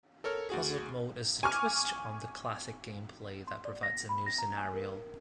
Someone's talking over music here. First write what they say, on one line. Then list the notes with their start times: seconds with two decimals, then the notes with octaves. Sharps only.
Puzzle Mode is a twist on the classic gameplay that provides a new scenario.
0.24 A4 A#4 C#5 F6
0.50 D2 F#4 G#4
1.43 G#5 C#6 D6 F6
3.47 C6
3.65 D5
3.83 A#6
4.09 B5
4.26 A#6
4.38 A#5
4.58 G#5
4.74 A#4